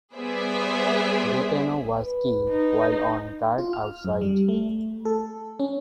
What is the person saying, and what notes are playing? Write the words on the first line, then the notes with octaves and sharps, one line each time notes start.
Gaetano was killed while on guard outside.
G3 B3 G#4 C5 D5 E5
B4
D#4
F4
F6
F#2
G3
A3
A4
C#4